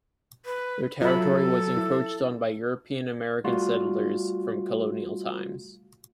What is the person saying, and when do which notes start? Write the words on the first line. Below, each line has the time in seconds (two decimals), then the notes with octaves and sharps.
Their territory was encroached on by European-American settlers from colonial times.
0.45 B4
1.02 F#3 F4 A4 E5 B5
1.77 E4
3.44 G3 A3 F4 F#4